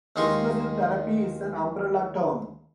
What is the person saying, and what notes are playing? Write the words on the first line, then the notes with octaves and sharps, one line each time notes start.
Expressive therapy is an umbrella term.
D#2 G#3 D#4 F4 C6 C#6